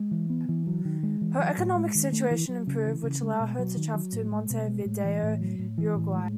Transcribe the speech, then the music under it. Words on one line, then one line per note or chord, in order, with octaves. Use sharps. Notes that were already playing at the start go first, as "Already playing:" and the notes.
Her economic situation improved, which allowed her to travel to Montevideo, Uruguay.
Already playing: G#3
E3
B3
E3
F#3
D#3
G#3
E3
F#3
A2
G#3
D#3
A3
E3
F#3
C#3
E3
C#3
G#3
B2
F#3
D#3
F#3
A2
G#3
B2
G#3
A2
E3
A2
F#3
A2
E3
A2
G#3